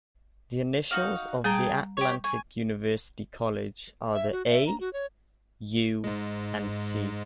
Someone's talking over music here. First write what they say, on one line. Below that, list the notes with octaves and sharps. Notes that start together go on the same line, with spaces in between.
The initials of the Atlantic University College are the "A", "U" and "C".
D#4 F#4 F5
G3 G#4 G5 A5 A#5
G4 C#5
G#5 C#6
E5
F#4
E5
A#5
F#4
C#5
G#2 G#3